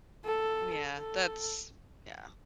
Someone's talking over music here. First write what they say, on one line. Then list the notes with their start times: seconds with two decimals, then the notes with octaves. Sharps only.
Yeah. That's yeah.
0.25 A4
0.96 A4